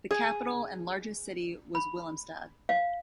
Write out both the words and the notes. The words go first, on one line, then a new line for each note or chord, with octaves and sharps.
The capital and largest city was Willemstad.
G#4
B5
F5